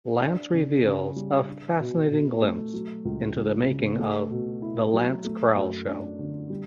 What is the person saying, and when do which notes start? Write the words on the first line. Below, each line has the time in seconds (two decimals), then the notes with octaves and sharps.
Lance reveals a fascinating glimpse into the making of The Lance Krall Show.
0.22 D4
0.54 C#3
0.85 C#3
1.16 G3
1.48 D4
1.80 B2
2.11 B2
2.42 A3
2.73 F#3
3.05 C#2
3.36 C#2
3.68 C#3
3.99 A3
4.31 B2
4.62 E4
4.94 F#3
5.25 A3
5.56 F#2
5.88 D4
6.19 D3
6.50 G3